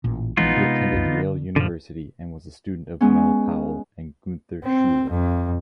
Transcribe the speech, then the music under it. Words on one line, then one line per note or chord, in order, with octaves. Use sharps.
He attended Yale University and was a student of Mel Powell and Gunther Schuller.
A1 A#2
A#1 E3 G#3 B3 D#4 F4
C3 G#3
C2 F#2
D3
F#2 A#2 D3 F3
G#3 B3 C#4
C4
F2